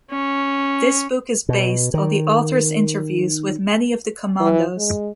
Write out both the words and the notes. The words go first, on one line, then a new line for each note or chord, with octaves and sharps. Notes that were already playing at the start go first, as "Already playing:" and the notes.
This book is based on the author's interviews with many of the commandos.
C#4
B2
D#3
E3
G#3